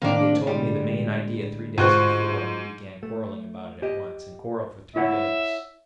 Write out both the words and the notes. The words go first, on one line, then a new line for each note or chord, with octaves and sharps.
He had told me the main idea three days before, and we began quarreling about it at once and quarreled for three days.
A2 D#3 A#3 C4 D4
A2 D3 G3 G#3
G#2 F4 F#4 C5
A3
G4 D#5
E4 C#5 E5 F#5